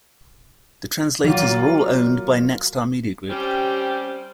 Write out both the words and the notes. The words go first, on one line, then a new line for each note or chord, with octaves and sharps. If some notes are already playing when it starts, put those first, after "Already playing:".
The translators are all owned by Nexstar Media Group.
E3 F#3 A#3 F4
G3 C4 C#4 G4